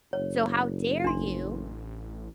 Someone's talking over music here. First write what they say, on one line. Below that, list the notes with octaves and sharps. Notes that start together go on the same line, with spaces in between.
So how dare you?"
F#1 C#5
A1 D4 C6